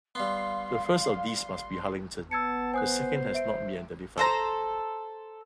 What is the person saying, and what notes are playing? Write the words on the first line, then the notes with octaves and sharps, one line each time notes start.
The first of these must be Harlington; the second has not been identified.
G3 B3 F5 C6
B3 A5 E6 G#6 C#7
C5 G#5 D#6 F#6
E5 D7
A4 C5 A#5